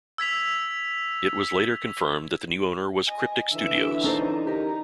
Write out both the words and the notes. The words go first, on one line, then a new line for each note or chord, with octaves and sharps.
It was later confirmed that the new owner was Cryptic Studios.
E6 G#6 B6 F7
D#5 G#5
D3 E3 D4 E5
C#4 D#4 A4 C5
D#4 G4 A#4